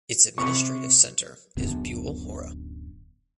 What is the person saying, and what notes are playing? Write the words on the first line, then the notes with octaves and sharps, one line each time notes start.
Its administrative center is Bule Hora.
C3 C#6
D1 F#2 D3 B3